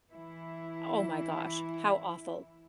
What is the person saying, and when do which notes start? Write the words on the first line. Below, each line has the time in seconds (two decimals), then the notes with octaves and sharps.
oh my gosh, how awful.
0.11 E3 E4